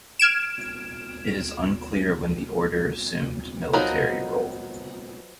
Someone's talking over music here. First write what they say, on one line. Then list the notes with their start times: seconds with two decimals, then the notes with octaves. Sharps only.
It is unclear when the Order assumed a military role.
0.19 F6 G#6 D7 E7
3.73 F3 F#3 B3 D#4 A#4